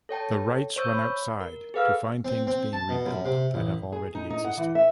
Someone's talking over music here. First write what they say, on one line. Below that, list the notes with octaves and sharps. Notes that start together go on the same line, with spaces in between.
The Wrights run outside to find things being rebuilt that have already existed.
A4 C#5 G5 A5
C5 C#5 C#6 E6 G6
B5
A#4
G#4 A4 B4 F5 E6 F6
C4
C4
A5
B2
F#2
C3
A1
G#4
D#4
D#4
F#5
E3
E5